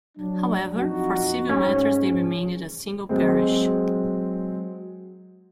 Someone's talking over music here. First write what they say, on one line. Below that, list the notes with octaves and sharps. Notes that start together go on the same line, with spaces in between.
However, for civil matters they remained a single parish.
F#3 D4
F2 D#4 F#4
G#2 C#4
F#3 G#3 C4